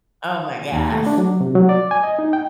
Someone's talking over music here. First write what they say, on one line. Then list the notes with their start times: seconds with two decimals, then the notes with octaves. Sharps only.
Oh my gosh.
0.72 D#2
0.92 A3
1.06 D4
1.18 F#3
1.41 C3
1.55 F#3
1.69 D5
1.91 G#5
2.03 D#5
2.19 D#4
2.33 G5